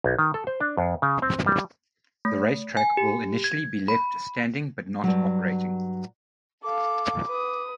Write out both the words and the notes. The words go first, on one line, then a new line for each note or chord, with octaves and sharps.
The racetrack will initially be left standing but not operating.
B1
D#3
A4
C5
D4
F2
C#3
C4
G3
A3
G#5
G4
G#6
B5
G2 F#3
A4 F5 D6
B4 D#6